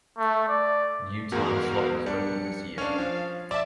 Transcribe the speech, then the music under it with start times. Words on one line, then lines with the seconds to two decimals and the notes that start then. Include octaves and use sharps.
New time slot was opened this year.
0.18 A3
0.48 D5
1.32 E2 G#2 F#4 A#4 F5
2.06 G3 D4 C#7
2.78 C#4 D4 F5
2.98 F3
3.51 D5 E5 A5